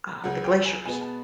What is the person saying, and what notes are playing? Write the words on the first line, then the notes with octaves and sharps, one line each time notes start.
uh, the glaciers.
C#2 C#3 F#3 F#5
G5
G#5
B2 G#3 B3 G#5
A5